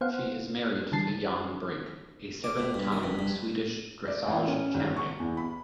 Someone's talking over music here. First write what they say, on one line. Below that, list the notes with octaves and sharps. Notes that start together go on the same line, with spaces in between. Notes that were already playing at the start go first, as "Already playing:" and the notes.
She is married to Jan Brink, a seven-time Swedish dressage champion.
B3 C5 F5 F#5
D3 E3 G3 A5 A6 C7
D6
A2
G2
D#3
G2
G2
D5
A1
C#4
G#1
C#6
E2
B5